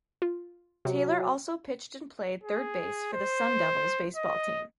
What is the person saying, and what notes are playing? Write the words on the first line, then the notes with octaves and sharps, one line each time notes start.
Taylor also pitched and played third base for the Sun Devils baseball team.
F4
C3 F#3
G#4
C5
D#5